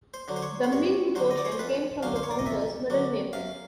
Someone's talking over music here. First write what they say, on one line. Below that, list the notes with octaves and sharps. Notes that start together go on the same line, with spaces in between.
The Ming portion came from the founder's "middle name".
C5
D3 F#3
C5
C#5
C5
G2 C#5
D3 F#3 C5
D#5
D5
C#5
C5
F2 B4
D3 F#3 F5
C5
C#5
D5
D#5
F2 E5
D3 F#3
F#2 F5